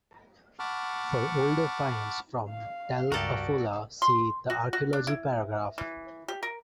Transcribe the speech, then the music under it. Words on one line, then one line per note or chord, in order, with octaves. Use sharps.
For older finds from Tel 'Afula see the Archaeology paragraph.
F#5 A5 B5 C#6 D6 F6
F5
C#2 G2 F#4 G4 A4 A#4 D5
C6
F#4
F#4
D4
E4
E3
G4
A#4